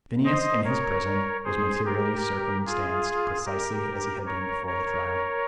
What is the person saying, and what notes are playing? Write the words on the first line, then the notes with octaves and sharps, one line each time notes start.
Phineas in his prison was materially circumstanced precisely as he had been before the trial.
C5 D#5
A#4 C#5
G#4 C5
G4 A#4
F4 G#4
G4 A#4
A#4 C#5
A#4 C#5